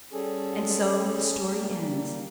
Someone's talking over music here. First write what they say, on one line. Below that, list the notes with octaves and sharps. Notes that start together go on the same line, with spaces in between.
And so the story ends.
G3 C#4 G#4 A4
G3 A#3